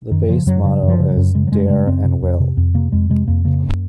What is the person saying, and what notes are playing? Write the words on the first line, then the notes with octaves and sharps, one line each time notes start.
The base motto is ""Dare and Will"".
F#2 D#3
C#3 F3
F#2 F#3
C#3 F#3
F#2
F3
C#3
F#3
F#2
C#3 G#3
F#3
F#2 G#3
C#3 G#3
F#2 C4
C3
F2
C3
F2
C3 A#3
F2 G#3
C3 G#3
F2 A#3
C#3 A#3
F#2